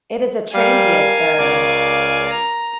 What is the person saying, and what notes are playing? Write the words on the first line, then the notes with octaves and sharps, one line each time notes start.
It is a transient error.
G3 A#4 F5 G#5
C#2 D5 F5
A#5